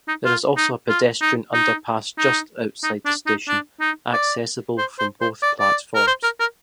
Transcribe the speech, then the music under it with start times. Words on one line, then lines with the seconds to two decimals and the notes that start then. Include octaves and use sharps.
There is also a pedestrian underpass just outside the station, accessible from both platforms.
0.08 D#4
0.25 F4
0.57 D#4
0.89 F4
1.22 D#4
1.54 D#4
2.19 D#4
2.83 D#4
3.06 D4
3.27 D#4
3.48 D4
3.81 D#4
4.13 D5
4.78 C5
4.99 C5
5.21 C5
5.43 D5
5.60 D5
5.95 A#4
6.07 C5
6.23 A#4
6.40 A#4